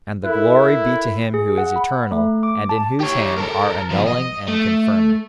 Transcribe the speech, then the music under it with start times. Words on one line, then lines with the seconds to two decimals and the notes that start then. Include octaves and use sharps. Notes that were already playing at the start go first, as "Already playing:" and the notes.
And the glory be to Him who is eternal and in whose hand are annulling and confirming.
0.25 E4 A4 A#4 F#6
1.34 G#4
1.58 F#5
1.76 B5
2.12 A3
2.43 D6
2.69 A5
3.00 G4 C#5
3.38 A4 A#4
3.90 F3 B3
4.07 D#5
4.49 A3